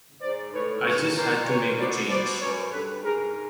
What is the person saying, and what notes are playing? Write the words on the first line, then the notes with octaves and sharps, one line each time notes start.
I just had to make a change.
G#2 C5 D5
A2 B4 C#5
F#2 B4 C#5
G2
G#2
A#2 A#4 C5
A#2 B4 C#5
B2 C5 D5
B2 C5 D5
F#2 B4 C#5
G2 A4 B4
G#2 G#4 A#4